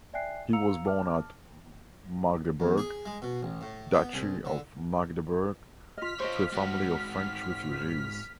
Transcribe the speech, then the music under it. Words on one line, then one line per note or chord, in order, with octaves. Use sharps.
He was born at Magdeburg, Duchy of Magdeburg, to a family of French refugees.
D5 E5 G5 G#5 F#6 C7
F5 A#5 E6 C#7 F7
A5 D6 F6
E2
G#4
G#3
B2
A1
A2
B3
C2
D3
F4 D#5 F6 B6
F4 C5 C#5 D#5
G#2 F#4